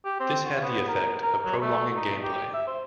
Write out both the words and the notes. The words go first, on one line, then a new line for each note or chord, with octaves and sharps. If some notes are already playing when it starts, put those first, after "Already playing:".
This had the effect of prolonging gameplay.
G4
C4
F#4
B3
A#4
A#4
F#3
A3
D#4
G4
E5
C5